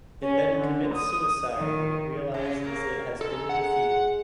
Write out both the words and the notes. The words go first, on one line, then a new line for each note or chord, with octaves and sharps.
It then commits suicide when it realizes it has been defeated.
C#4
D3
D#6
D#3
C#3
F#3 A#3
G#2 A4
F#5